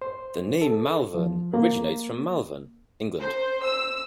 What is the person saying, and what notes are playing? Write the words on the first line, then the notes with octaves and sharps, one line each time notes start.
The name Malverne originates from Malvern, England.
C5
A4
F3
A#3
C5
E6